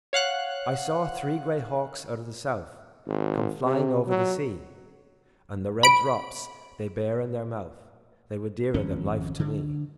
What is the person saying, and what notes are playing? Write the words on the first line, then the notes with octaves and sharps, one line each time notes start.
I saw three grey hawks out of the South Come flying over the sea, And the red drops they bare in their mouth They were dearer than life to me.
C#5 F5 F#5 F#6
G#1
C3
F#3
B5 D7
G#1 F2 C#4
D3